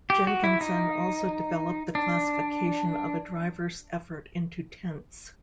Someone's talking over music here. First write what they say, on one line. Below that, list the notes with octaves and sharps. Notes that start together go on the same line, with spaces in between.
Jenkinson also developed the classification of a driver's effort into "tenths".
G4
F#4
E4
D#4
D4